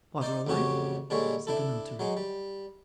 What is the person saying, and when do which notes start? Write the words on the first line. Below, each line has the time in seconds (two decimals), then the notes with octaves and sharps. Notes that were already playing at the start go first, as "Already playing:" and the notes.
'Father alive?' said the Notary.
0.21 D#4 C5 D5
0.47 A1 F2 C#3 F#4 G4 C#5
1.10 A#2 D3 G3 G#3 C#5
1.47 D4 E4 A4
1.99 F#3 G#3 D#4
2.17 G3